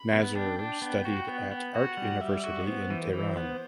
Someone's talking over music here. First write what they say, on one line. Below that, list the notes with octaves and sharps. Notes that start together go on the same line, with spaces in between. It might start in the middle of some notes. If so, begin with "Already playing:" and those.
Nazer studied at art university in Tehran.
Already playing: B5
B3
D4 G5
D4
B3
F#4
B3
B3
F#4 F#5
G3
G3 E5
F#4
B3 C5
E3
E3
B3